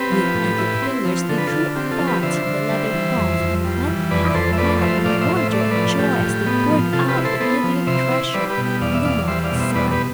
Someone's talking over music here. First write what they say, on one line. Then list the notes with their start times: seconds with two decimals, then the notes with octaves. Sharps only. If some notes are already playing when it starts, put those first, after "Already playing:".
With eager fingers they drew apart the leather thongs, and went half-mad with wonder and joy as they poured out the glittering treasure in the morning sun.
Already playing: C4 G4 B4
0.12 F3
0.34 A2
0.58 E4
0.82 C4
1.05 F3
1.29 D3 A4
1.38 B4
1.47 D3 F4 A4
1.76 C4 G4
1.91 F4 A4
2.00 F3
2.07 G4 B4
2.23 D3 C5 E5
2.47 D3
2.70 G3
2.94 E3
3.17 F2
3.40 F2
3.65 G3
3.88 E3
4.11 F2 B4 D5
4.26 D5
4.35 F2 A4 C5
4.53 E5
4.58 A3 B4 D5
4.81 F3 C5 E5
5.05 A2 D5 F5
5.21 C5 E5
5.29 A2
5.37 C5 E5
5.52 A3 D5
5.61 E5
5.71 F3 B4 D5
5.99 A2 G4
6.23 A2
6.46 B3
6.70 F3
6.93 C3 F4 A4
7.08 G4 B4
7.17 E4
7.25 A4 C5
7.40 B3 A4 C5
7.64 F3
7.87 C3 C5 E5
8.11 E4
8.34 G3 B4 D5
8.50 G4 B4
8.57 B2
8.65 G4
8.81 E2 D5 F5
8.94 E5
9.04 E2 D5 F5
9.28 G3 C5 E5
9.44 D5 F5
9.52 B2
9.60 C5 E5
9.75 E2 B4 D5
9.91 G4 B4